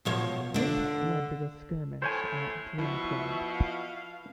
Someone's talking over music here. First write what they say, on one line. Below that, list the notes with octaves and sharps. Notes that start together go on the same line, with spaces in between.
This led to the skirmish at Drumclog.
B2 F3 C#5
D3 D4
A2 C5 C#5 G#5
B2 F3 E4 E5 C#6
F5